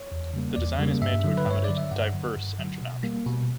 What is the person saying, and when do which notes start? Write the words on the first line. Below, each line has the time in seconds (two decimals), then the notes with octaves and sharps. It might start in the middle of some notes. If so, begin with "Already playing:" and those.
The design is made to accommodate diverse engine options.
Already playing: C#5
0.12 E2
0.34 C#3 G3 A#3
0.56 E2 D5
0.79 C#3 G3 A#3
1.01 G2 E5
1.24 D3 F#3
1.37 B4
1.46 G2 C#5
1.64 D3 F#3 D5
1.78 E5
1.91 G2 F#5
2.13 D3 F#3
2.36 G2
2.58 D3 F#3
2.81 B2
3.03 G3 A#3
3.26 B2